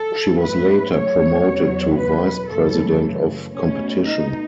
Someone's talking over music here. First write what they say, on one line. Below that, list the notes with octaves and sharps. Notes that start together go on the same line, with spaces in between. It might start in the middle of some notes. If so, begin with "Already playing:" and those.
She was later promoted to Vice-President of Competition.
Already playing: A4
G#2 F#3 A3 B4
C#5
E2 B2 F#3
B4
F#2 C#3 E3 A3 A4
B2 A3 C#4
D#4